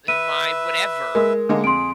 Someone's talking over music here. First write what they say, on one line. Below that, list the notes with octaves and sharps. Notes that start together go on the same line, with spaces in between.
uh, my" whatever.
B4 E5 D#7
G#3 A#4
D3 G#3 A#3
F2 G#4 C6 D7